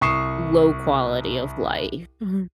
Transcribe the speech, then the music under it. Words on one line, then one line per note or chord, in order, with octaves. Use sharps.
low quality of life mhm.
C2 C#6 D#6 C7 E7